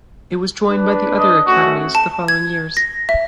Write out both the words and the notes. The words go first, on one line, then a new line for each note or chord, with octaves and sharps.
It was joined by the other academies the following years.
D4 B4
D#5
A3 C#4 F#4
A5
G#6
A#6
E5